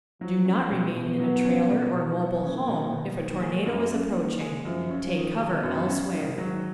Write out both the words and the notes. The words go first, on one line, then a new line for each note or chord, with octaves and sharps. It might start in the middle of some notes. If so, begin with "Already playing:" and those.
Do not remain in a trailer or mobile home if a tornado is approaching; take cover elsewhere.
F3 F#3
C#4
B2
B2 B3
F#3
C#4
B2
B2
F#3
A#3 C#4
B2
B2
D#3 A#3
G#3
F#2
A#3 C#4
D#3
G#3
F#2 F3
C#4
F3
D#3
B2 G#3
F#2
C#4
G#2 D#3
F#3